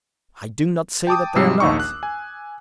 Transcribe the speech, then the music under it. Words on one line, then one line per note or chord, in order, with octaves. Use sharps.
"I do not say that they are not."
G5 A5 D6 D#6
G#2 C3 F3 G3 E6 C7
A#1 D#2 D#4 C#6
F#6
G#5